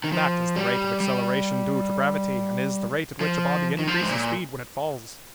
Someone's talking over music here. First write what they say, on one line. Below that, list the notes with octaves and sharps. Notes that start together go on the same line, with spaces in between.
That is the rate of acceleration due to gravity and is the rate at which a body increases speed when it falls.
D#3
F3
G3
G3
F3
D#3
F3
G#2
A#2